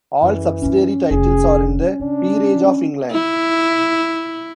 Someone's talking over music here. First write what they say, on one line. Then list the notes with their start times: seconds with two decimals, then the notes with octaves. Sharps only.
All subsidiary titles are in the Peerage of England.
0.22 F#2 E3
0.62 F#2 A#3 C#4
1.11 F1 G#4
2.00 C#3 D4
3.11 E4